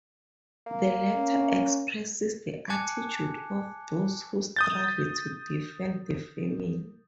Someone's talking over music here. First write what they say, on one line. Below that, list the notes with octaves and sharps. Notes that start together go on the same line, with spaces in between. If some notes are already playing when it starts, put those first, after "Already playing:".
The letter expresses the attitude of those who struggle to defend the family.
A#3
C#4
G#5 A5 D6 F#6 G#6 C#7
D#6 G6 A6